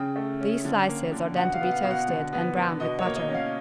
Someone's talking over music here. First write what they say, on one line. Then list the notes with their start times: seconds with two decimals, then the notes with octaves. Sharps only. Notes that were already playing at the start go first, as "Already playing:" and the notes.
These slices are then to be toasted and browned with butter.
Already playing: C#3 G5
0.16 A3
0.41 C#4
0.64 D3
0.88 A#3
1.12 D3
1.36 B2 F#5
1.54 F5
1.61 B3 F#5
1.72 F5
1.83 B2 F5
1.91 F#5
2.08 D3
2.33 B3
2.57 D3
2.80 B2 D#5
2.99 C#5
3.05 A#3
3.16 D#5
3.29 C#4
3.34 F5